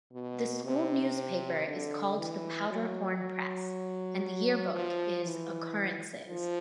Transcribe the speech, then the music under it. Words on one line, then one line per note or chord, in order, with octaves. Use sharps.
The school newspaper is called the "Powder Horn Press" and the yearbook is "Occurrences".
B2
C3
D3
E3
F#3
F3
E3
F3